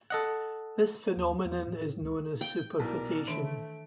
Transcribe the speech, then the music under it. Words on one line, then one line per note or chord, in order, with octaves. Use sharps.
This phenomenon is known as superfetation.
A4 D#5 F#5
D#2
E2
A2
C#2
F5 G5
B1 E4 A#4 D5
D#3 E3 A3 D4 D7